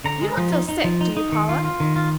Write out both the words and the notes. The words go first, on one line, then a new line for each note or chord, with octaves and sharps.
"You don't feel sick; do you, Paula?"
D3 A#5
G#3
F3
D#4
D#4
F3
D#4
D#4
D#3
F4
F4
D#3
F4